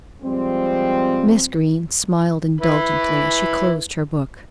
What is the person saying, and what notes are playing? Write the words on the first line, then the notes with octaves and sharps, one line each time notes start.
Miss Green smiled indulgently as she closed her book.
F3 G3 G#3 C4
E4 B4